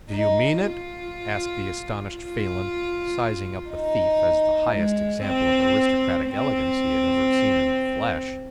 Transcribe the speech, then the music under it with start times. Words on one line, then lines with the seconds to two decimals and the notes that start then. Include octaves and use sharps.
"Do you mean it?" asked the astonished Phelan, sizing up the thief as the highest example of aristocratic elegance he had ever seen in the flesh.
0.11 D#4
0.61 F4
2.15 F4
3.70 D#4
4.71 G#3
5.22 C4
6.26 C4